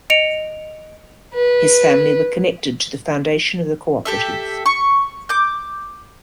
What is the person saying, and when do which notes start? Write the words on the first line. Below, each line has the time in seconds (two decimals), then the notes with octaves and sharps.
His family were connected to the foundation of the co-operative.
0.10 D#5 C#7 D7 F7
1.33 B4
4.05 G4 A4 E5
4.66 C#6
5.29 D6 G6